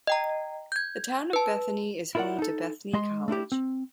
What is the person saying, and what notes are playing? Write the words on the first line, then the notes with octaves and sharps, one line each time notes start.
The town of Bethany is home to Bethany College.
D#5 G5 A#5
G6 G#6
B4 A5
E4 F4 A#4 C5 D5 F#5
D#4 A4
G#3 D#5 C6
A3 D4 E4 G4
C4